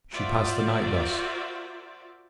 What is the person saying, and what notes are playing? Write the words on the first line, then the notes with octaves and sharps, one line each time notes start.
She passed the night thus.
F4 F#4 A#4 C5 D5 E5